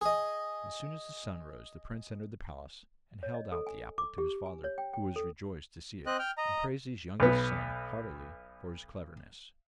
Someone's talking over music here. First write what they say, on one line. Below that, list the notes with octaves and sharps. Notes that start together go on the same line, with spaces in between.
As soon as the sun rose the prince entered the palace, and held out the apple to his father, who was rejoiced to see it, and praised his youngest son heartily for his cleverness.
G#4 D#5
C#5
D#5
A4
G#5
D6
G4
G#5
C#5
G5
G5
A4
C4 D#5 F#6
G5 F6
D#5 A#5
B1 B3